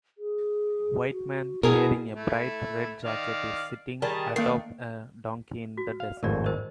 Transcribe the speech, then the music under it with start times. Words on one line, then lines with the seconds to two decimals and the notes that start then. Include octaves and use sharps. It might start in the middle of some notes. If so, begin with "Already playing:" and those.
White man wearing a bright red jacket is sitting atop a donkey in the desert.
0.18 G#4
1.11 F#4
1.63 B2 E4 G#4 A#4
2.14 A3 E4
3.04 D#3 D5 F5
4.02 D#3 G3 G#4 A#4 A5
4.36 D#3 A3 A#3 D4 C7
5.77 F#4
6.00 F5
6.23 G#1 F2 A2 A#4 D5
6.46 A#4 C5 D#5